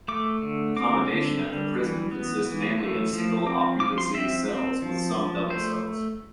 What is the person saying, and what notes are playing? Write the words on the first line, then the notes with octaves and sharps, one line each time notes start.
Accommodation at the prison consists mainly of single occupancy cells, with some double cells.
A3 D6
D3
C4 D6
D3
G3
E3
B3
E3
A3
F3
C4 D6
F3 D6
C6
C4 E5
C4
F3
F3
A3 C5